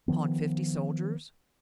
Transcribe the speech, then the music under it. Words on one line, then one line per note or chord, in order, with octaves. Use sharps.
"Upon fifty soldiers?"
D#3 F3 B3